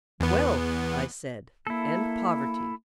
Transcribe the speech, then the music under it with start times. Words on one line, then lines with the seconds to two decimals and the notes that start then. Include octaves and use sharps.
Wealth, I said, and poverty.
0.20 E2 B3
1.67 A#3 E4 A4